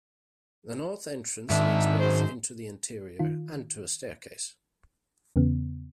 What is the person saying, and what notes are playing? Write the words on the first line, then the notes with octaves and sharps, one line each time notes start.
The north entrance leads both into the interior and to a staircase.
G#2 D#3 D4 E4 E5
F#2 G#3 C5
D#3 F4
E2 C#3 B3